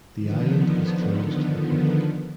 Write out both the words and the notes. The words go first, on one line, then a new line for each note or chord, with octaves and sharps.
The island is closed to the public.
D3 D#3 F3 B3